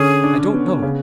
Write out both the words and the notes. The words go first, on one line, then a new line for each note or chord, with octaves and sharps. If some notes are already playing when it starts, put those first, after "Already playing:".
I don't know.
Already playing: D3 C#4 G#4
D4
B3
C#3